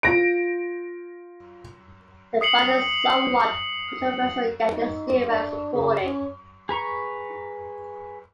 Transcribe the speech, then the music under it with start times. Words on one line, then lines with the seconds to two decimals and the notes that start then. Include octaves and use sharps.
The fund is somewhat controversial yet is still well supported.
0.03 F4 A#6 D7
2.41 D#6 C7 C#7 F#7
4.71 D#4
5.30 D4
5.74 C#3
6.05 C#4
6.69 G#4 B4 A#5 C#6